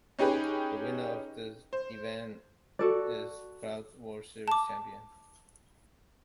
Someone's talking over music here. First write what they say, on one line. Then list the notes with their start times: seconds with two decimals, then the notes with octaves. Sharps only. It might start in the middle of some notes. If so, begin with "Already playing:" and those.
The winner of the event is crowned World Series champion.
0.19 C#4 D#4 G4 G#4 B4
1.73 C5
2.79 F#4 A4 D5
4.48 A5 D6